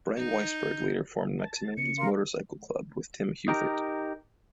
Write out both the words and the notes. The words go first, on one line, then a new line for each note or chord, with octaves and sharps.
Bryan Weisberg later formed Maximillion's Motorcycle Club with Tim Huthert.
D#4 G6
A5
C#3 C#7
A#4 F5 C6
D#4 G4 A#4